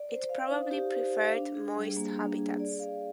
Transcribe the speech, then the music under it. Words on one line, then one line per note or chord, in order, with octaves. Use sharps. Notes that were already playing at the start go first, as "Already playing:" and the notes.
It probably preferred moist habitats.
Already playing: D5
C5
F5
D#4
G4
C5
F5
D4
G#4
G3
A#3
D4
G#4
D5
F5